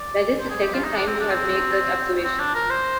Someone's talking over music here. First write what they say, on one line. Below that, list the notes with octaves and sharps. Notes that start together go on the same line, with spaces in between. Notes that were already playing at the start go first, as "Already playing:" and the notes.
That is the second time you have made that observation.
Already playing: D5
C5
G#4
G4
F4
D#4
D4
C4
D4
C4
C4
D4
A#4
C5